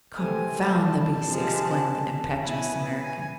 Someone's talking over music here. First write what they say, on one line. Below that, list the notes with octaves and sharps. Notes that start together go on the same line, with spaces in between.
"Confound the beasts!" exclaimed the impetuous American.
C3 E3 A3 C4 G#5
A5
C3 F3 G#3
B2 B3 E4 G#5
G#5